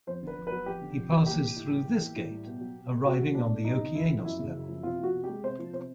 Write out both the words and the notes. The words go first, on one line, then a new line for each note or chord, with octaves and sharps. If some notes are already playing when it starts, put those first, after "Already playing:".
He passes through this gate, arriving on the Okeanos level.
F2 C5
D3 B4
F2
B4
F#3
F2 G4
D3
F2
F#3
A#3 G4
E3
A2
G3
A#3
E3
A2
G3
B2
F#3
B2
A3
B2 F#4
F#3
B2 D4
A3
F#2 D#4
C#3
F#2 E4
F3
F#2 E4
C#3
F#2
F3
C3 F4
F3 F#4
C3
G#3 G4
C3 C5
F3
C3 C5